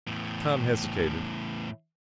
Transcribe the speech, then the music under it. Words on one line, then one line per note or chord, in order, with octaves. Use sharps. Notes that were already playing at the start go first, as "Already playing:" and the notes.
Tom hesitated.
E2 A2